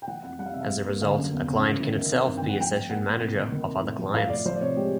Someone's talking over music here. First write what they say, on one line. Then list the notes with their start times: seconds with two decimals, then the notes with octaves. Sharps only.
As a result, a client can itself be a session manager of other clients.
0.02 G5
0.07 E3 F#5
0.23 F2 F#5
0.39 G3 F#5
0.46 F5
0.54 C3 E5
0.61 F5
0.70 G3
0.86 A#3
1.01 D3 F5
1.16 F#2
1.33 E2
1.48 C#3
1.64 E2
1.80 E3
1.95 D#3
2.11 C4
2.26 G2
2.37 G5
2.43 D#3
2.49 F#5
2.57 F3 G5
2.73 F3
2.89 A#3 F#5
3.05 A#3
3.21 C3
3.36 D#3
3.52 D#3
3.67 C3
3.83 A2
3.99 F3
4.14 A2 F5
4.30 A2 D5
4.45 F3 C5
4.56 D5
4.61 C3 C#5
4.76 G#3 G4